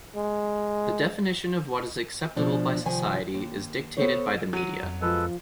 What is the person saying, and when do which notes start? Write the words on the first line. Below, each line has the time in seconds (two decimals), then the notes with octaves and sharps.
The definition of what is acceptable by society is dictated by the media.
0.16 G#3
2.36 B2 F3 D4
2.85 C3 D#3 F3 G#5
3.34 D#2
3.97 B3 A4 C5 C#5
4.53 F#3 D#7
4.83 F2
5.01 F3 G#3 A4 B4